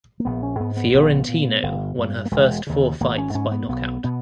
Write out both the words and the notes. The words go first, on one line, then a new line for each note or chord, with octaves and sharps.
Fiorentino won her first four fights by knockout.
A#3
A#1 B3
C#4
G#2 B3
B3
A#1
A#2
G1
G2
A#3
E1 G#3
D#2 C#3
G#1 A#3
C#4
G#2 C#4
B3
B1 B3
B2 B3